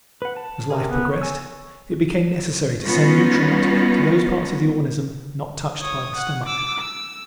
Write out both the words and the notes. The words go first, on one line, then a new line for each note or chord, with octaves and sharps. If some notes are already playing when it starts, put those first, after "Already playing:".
As life progressed it became necessary to send nutriment to those parts of the organism not touched by the stomach.
B4 F#5
A5
C3 G#4 A#4
B3
C#5
G#5 E6
G3 B3 C#4 D#4 F4 F#4
C#5 D#6
F#5
D6 E6
E6